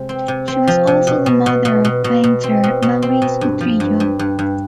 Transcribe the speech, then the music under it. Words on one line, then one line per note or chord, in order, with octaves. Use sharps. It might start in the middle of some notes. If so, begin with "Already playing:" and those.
She was also the mother of painter Maurice Utrillo.
Already playing: C3 G#3
C4
C3
C4
F3
C3
B2
B2
B2
B2
B2
B2
B2
C4
B2
B2
C4
B2
G2
F3
G2
G2
G2
G2